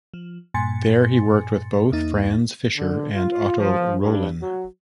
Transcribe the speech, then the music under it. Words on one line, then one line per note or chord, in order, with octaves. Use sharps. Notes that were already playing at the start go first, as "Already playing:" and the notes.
There he worked with both Franz Fischer and Otto Roelen.
F3
G2 A#2 G#5 C6 A6 C#7
E2 A#3 D#4 A6
D3
F4
F3
G2
F#3